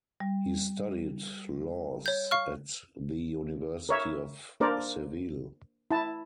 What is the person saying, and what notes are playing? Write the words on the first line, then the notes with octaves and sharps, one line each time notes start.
He studied Laws at the University of Seville.
G3
C#5 G6
F5 C#6 F6
A#4 C#5 E5
A#3 D4 A#4 C5 D5
E4 A5